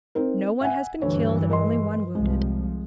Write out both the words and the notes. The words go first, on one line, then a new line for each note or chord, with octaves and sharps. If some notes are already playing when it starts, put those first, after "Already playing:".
No one has been killed and only one wounded.
C4 D#4 A#4
E5 F#5 G#5
D2 G2 E3 C#5
A#4 D#5 C6
C2 F3 G#3